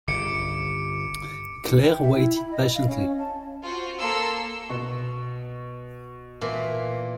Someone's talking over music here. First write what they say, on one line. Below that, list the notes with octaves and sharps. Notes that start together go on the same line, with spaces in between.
Claire waited patiently.
G1 C#3 D6 C#7 D7
G5
E5
E4
B5
D#5
F5
C#4
A5
F4 F#4 C5
A#3 A4 A#5 C6 E6
B2 C#6
A#2 E3